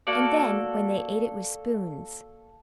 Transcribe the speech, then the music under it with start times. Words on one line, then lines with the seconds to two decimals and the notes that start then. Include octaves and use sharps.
And then when they ate it with spoons!
0.07 A#3 F#4 A4 D5